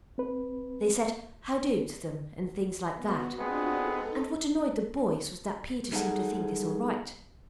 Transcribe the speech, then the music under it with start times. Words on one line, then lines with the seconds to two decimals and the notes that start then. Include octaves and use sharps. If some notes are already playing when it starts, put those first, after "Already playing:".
They said 'How-do?' to them, and things like that; and what annoyed the boys was that Peter seemed to think this all right.
0.18 C4 B4
2.95 B3 F#4
3.38 G#3 B3 C4 D4 F4 F#4
3.75 D#4 A4
5.91 F#3 G3 D#4 G#4 A4 F#5